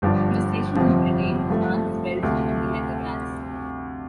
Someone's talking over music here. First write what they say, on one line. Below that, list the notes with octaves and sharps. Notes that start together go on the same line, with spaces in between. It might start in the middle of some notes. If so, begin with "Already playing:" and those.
He was stationed in Britain, France, Belgium and the Netherlands.
G1 G2 F3 D4
G1 F2 C3 F3 C4
G2 F3 A3
D2 C3 A3 F4